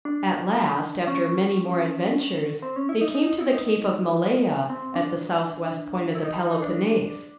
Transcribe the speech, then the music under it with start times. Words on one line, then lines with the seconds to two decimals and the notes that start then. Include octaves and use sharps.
At last, after many more adventures, they came to the Cape of Malea, at the southwest point of the Peloponnese.
0.05 D4
1.07 C#4
2.62 C4
2.76 C#4
2.89 E4
3.01 D#4
3.15 D#4
3.27 D#4
3.40 E4
3.53 D#4
4.70 C4
4.95 D4
6.15 E4
6.25 D#4
6.36 D#4
6.51 D#4
6.62 D4